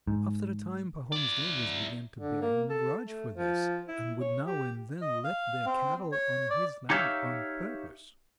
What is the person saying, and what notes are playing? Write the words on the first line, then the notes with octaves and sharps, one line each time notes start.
After a time Pahom's neighbours began to bear him a grudge for this, and would now and then let their cattle on his land on purpose.
G#2
E4 D5
D3
A#3
A4
A3
F3
E4
C#5
G4
D#5
F5
C4
C#5
D5
D#4 G4 C#5 E5 F5